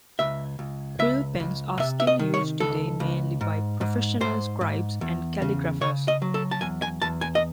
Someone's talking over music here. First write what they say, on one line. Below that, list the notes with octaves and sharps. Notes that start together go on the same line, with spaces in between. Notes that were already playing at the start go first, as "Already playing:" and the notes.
Quill pens are still used today mainly by professional scribes and calligraphers.
C#2 E5
C#2
C#2 E5
C#2
C3 E5
E5
D#5
D#3
C#5
C#2 A4
C#2
G#2
G#2
G#2 C5
G#2
E2
C#3
C#3 C#5
D#5
F#3
A4
A5
E2 G#5
G#5
E2 A5
G#5
D#5